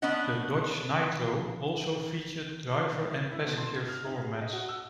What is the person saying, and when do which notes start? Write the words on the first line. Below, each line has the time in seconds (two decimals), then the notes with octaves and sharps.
The Dodge Nitro also featured driver and passenger's floor mats.
0.02 B3 C#4 D4 B4 D#5 F#5
3.31 E4
3.45 B2
3.58 C6
3.75 G#6
3.88 F6
4.05 D#4
4.24 G#4
4.41 D#5
4.53 F#4
4.69 E6